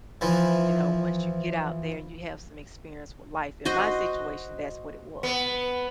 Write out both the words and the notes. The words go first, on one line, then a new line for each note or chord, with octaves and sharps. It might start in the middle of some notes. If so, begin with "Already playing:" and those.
you know, once you get out there and you have some experience with life. In my situation, that's what it was.
E3 F3
F#4 C5 D#5
B3